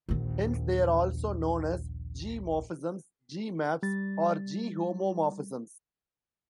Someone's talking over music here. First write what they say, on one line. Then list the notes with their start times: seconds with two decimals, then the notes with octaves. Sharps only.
Hence they are also known as G"-morphisms, G"-maps, or "G"-homomorphisms.
0.09 A#1 D#2
3.83 G3 A6